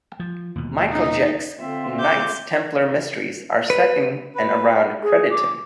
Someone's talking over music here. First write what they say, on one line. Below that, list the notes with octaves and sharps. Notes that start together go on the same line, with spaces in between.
Michael Jecks' "Knights Templar Mysteries" are set in and around Crediton.
F3
D#2 B2
D#4
D3 C4 F4 E5
D6 G6
B4
B4
G#4
D6